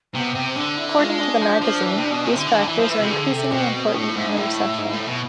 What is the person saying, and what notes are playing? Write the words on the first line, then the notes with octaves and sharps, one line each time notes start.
According to the magazine, These factors are increasingly important in a recession.
C3 B3
C3 C4
D3 D4
E4
E4
G#3 F4
D4
F3
F3
E3
C3
B2
C3 C4
D3 E4
E3 D4
D3
E3 E4
F3
E3 E4
C3
A4
D3 G#4
C3 A4
B2 C4
C4
A2 D4
F4
G#2 E4
D4
A2 E4
G#2
A2
B2